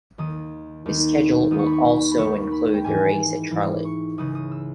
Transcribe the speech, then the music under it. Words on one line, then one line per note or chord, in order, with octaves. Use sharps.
His schedule will also include the race at Charlotte.
D#2 D#3 D#6
D#2 D#3
D#2 D#3 D#6
C#6
B5
C#6
B5
D#2 D#3 C#6
B5
G5
G#2 E3 G#5
G#2 E3
C#6
C#2 C#3 E3 D#6
D#6
E6